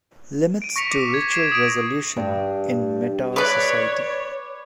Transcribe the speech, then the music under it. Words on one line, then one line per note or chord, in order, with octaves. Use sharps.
Limits to Ritual Resolution in Meta' Society.
D7 D#7
C#6 A#6 B6 C#7 F7
D6
D6 G#6
D6 G#6 A#6 C7 D7 E7
D#6 A#6 D7
G2
B4 C#5 D5